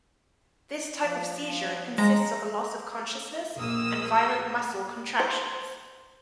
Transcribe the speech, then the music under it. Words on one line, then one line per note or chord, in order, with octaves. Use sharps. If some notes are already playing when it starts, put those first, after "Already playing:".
This type of seizure consists of a loss of consciousness and violent muscle contractions.
F3
G#3 A#5
A#1 A#3 D#6 E6
C5